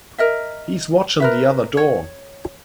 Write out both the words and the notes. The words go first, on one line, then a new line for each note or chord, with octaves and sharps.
He's watching the other door.
A#4 D#5 E5
A#4 B4 E5
C#5